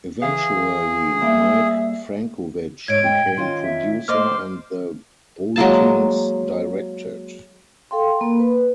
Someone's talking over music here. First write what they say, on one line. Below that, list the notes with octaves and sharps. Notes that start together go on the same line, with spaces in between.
Eventually Mike Frankovich became producer and the Boultings directed.
E3 G#4 E5 F5
G3 A#3 E5
G#2 G#3 C#5 G#6 D7
G5
D#3 C#4 F4 C6
E5
A#3 C5 D5 D#5 C6 D6 F6
G3
F#3 G#3 A#3 A5
A4 F5 G5 C6
A#3 A#4 B5
B4